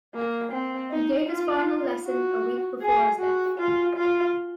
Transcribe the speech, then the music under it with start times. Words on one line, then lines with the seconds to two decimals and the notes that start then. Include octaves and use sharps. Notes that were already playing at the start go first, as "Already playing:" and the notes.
He gave his final lesson a week before his death.
0.15 A#3
0.52 C4
0.91 D#4
1.29 F4
2.06 F#4
2.81 G#4
3.20 F#4
3.58 F4
3.97 F4